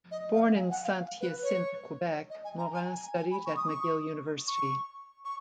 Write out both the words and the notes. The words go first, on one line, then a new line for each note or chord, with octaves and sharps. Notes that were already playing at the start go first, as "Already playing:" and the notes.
Born in Saint-Hyacinthe, Quebec, Morin studied at McGill University.
D#5
F5
G#5
F#5
F5
B4
C#5
D#5
G#5
A#5
G#5
G#5
G#5
B5
C#6
D#6
C#6
C#6
C#6